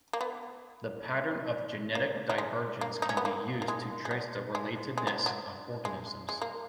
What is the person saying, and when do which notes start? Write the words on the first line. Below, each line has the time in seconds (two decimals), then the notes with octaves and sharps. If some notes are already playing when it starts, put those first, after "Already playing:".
The pattern of genetic divergence can be used to trace the relatedness of organisms.
0.13 A#3
0.21 B3
1.95 A#3
2.30 F#3
2.38 G#3
2.81 A#3
3.02 D#4
3.09 C#4
3.17 B3
3.25 A#3
3.62 A#3
3.68 G#3
4.05 G#3
4.11 F#3
4.55 G#3
4.98 G#3
5.07 F#3
5.26 F#3
5.85 G#3
6.29 G#3
6.42 A#3